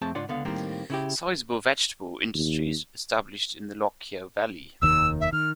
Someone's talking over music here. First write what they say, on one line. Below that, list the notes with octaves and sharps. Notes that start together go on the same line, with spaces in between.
A sizable vegetable industry is established in the Lockyer Valley.
F2 A3 C4 G#4 A5
C#2 G#2 D4 F4 D5 F#5
C#2 D3 B3 F5
D#2 A2 D#3 G3 A#3 C4
C#3 E4 G4
D#2
F1 D#2 D#3 E6
E5
D#3 F6